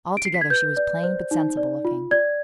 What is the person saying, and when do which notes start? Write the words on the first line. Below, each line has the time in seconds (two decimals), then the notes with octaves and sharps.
Altogether she was plain, but sensible-looking.
0.17 D7
0.25 C7
0.34 B6
0.41 G#6
0.50 B4 G6
0.77 D5
1.04 C5
1.31 D#4
1.57 D5
1.85 F4
2.11 D5 G#6